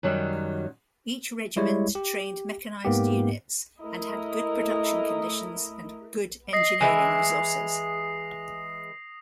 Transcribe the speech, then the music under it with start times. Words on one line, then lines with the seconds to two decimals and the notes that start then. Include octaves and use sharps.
Each regiment trained mechanized units, and had good production conditions and good engineering resources.
0.03 F#2 D#3 F#3 G3
1.56 G3 G#3 E4 C#5
1.95 G4
2.85 G#2 A#3 B3 G4
3.81 A3 E4 A#4 D#5
6.53 D#5 D#6 A#6 C7
6.81 E3 G#3 E5 G#5 F7